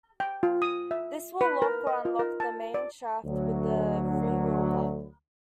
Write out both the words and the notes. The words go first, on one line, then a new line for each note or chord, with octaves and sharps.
This will lock or unlock the main shaft with the freewheel hub.
G5
F4
D#6
E5
B4
A#4
D#5
F4
A#4
A5
D5
D2 F#3